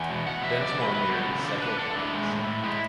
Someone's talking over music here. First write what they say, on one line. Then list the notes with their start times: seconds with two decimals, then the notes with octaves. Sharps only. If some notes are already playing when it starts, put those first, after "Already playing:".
Densmore married several times.
Already playing: E2 G#5
0.10 B2
0.27 B2 F#5
0.43 E2 E5
0.60 F#3 D5
0.78 F#3 B4
0.94 F#3 B4
1.11 B3 A4
1.28 C#3
1.45 D4
1.62 D4 B4
1.79 D4 A4
1.96 D4 E4
2.13 G#3
2.30 A2
2.47 A2
2.64 G#3 E4